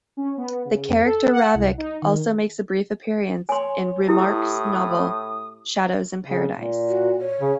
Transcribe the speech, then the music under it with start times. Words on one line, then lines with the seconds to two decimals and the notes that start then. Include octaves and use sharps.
The character Ravic also makes a brief appearance in Remarque's novel, "Shadows in Paradise".
0.17 C#4
0.37 B3
0.65 C#3
0.89 F2
1.05 A4
1.32 F#5
1.54 C2
1.78 D#4
2.02 D#3
3.49 C#5 G#5 C6
4.09 A2 E4 G4 D#6
6.26 C#3
6.54 A#2
6.89 F#4
7.21 C#5
7.41 C#3